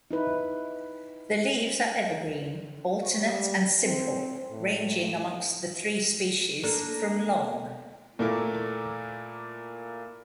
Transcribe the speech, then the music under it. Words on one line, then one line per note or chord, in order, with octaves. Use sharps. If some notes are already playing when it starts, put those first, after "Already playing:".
The leaves are evergreen, alternate and simple, ranging amongst the three species from long.
D#4 E4 B4
G3
C4
A2
A#3 D4 A4
A#2 A3 A#3 E4 A#4